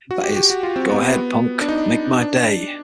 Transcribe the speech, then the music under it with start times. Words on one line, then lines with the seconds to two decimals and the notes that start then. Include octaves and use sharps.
That is, 'Go ahead, punk, make my day'.
0.11 F#4
0.23 G4
0.36 G4
0.50 F#4
0.63 F4
0.76 C4
0.89 B3
1.03 B3
1.61 D4
1.68 D#4
2.21 D4